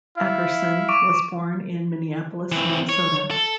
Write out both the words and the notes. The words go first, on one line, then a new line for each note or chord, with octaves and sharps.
Akerson was born in Minneapolis, Minnesota.
E4 F5
C#6 D6 D7
E3 C4
C#5
A4